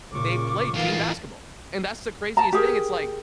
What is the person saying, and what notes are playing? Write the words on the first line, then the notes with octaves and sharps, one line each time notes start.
they played team basketball, and that's the craziest thing, it's like,
A#2 C#3 F4 C#6 D6
A2 E3 D#4 F4 A#4 F5
A5 A#5
G4 G#4 A#4